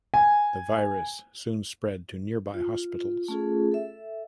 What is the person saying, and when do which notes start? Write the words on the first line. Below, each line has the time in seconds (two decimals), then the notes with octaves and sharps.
The virus soon spread to nearby hospitals.
0.14 G#5
2.54 F4
3.28 A3 C#4 F4 G#4 A4
3.72 A4 E5